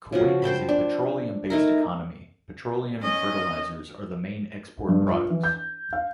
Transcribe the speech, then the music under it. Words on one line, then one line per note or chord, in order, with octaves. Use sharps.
Kuwait has a petroleum-based economy, petroleum and fertilizers are the main export products.
C#3 F3 F#4
C5 G5 A5 B5
D4
A3 D#4 E4 A#4
C#4 D#5
G2
F4
E3
G6
F5